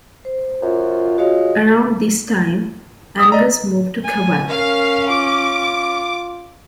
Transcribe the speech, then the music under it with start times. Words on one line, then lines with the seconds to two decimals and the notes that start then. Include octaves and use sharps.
Around this time, Angus moved to Cobalt.
0.25 C5
0.62 F#2 F4
1.18 G#3 F#4 C#5 F5
3.19 D#6 E6 B6
3.32 D5 D#5 A#5
4.05 G#5
4.49 C#4 A#4 F5
5.10 F4 D6